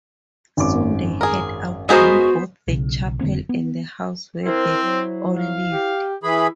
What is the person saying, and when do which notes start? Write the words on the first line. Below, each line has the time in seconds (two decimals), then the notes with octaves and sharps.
Soon they had outgrown both the chapel and the house where they all lived.
0.57 G#1 F#2 D6
1.21 G#4 A#4
1.89 G#3 B3 F#4 G#4 A#4 C5 D#6
2.68 B1 C#3
3.21 F1 D3 A#3 C4
3.49 B3
4.46 C4 E4 A#4 C5
4.83 F#3
5.37 F5
5.73 G4
6.23 E3 E4 G#4 B5